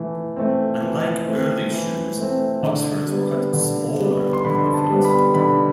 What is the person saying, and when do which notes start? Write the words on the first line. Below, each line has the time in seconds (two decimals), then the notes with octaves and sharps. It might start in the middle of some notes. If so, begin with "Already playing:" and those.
Unlike early shoes, Oxfords were cut smaller than the foot.
Already playing: E3 A3
0.36 A3 C4
0.82 E3
1.27 A3 C4
1.72 E3
2.17 A3 C4
2.63 D3
3.08 G3 B3
3.54 D3
3.99 G3 B3
4.33 C6
4.45 D3 B5
4.74 A5
4.90 G3 B3
5.04 B5
5.34 D3 B5